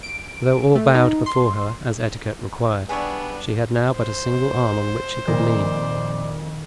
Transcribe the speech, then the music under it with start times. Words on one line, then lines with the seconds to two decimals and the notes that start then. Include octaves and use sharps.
Though all bowed before her, as etiquette required, she had now but a single arm on which she could lean.
0.03 D7
0.75 A3
0.95 D#4
1.26 C6
2.89 G3 B3 D4 G#4 C#5 E5
3.94 C5
5.27 F2 A#2 D#3 A#4 D5 G#5